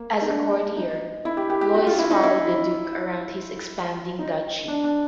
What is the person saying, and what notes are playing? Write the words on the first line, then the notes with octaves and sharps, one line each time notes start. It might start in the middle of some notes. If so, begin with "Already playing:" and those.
As a courtier Loys followed the Duke around his expanding duchy.
Already playing: A#3
D#4
D4
D#4
E4
G4
G4
G4
F#4
F4
E4
D#4
E4
D#4
D4
D4